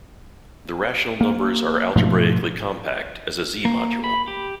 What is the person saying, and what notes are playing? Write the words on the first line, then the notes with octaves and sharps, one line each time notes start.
The rational numbers are algebraically compact as a Z-module.
A#3
G#2 B2 F3 A3
A#3
B5
G4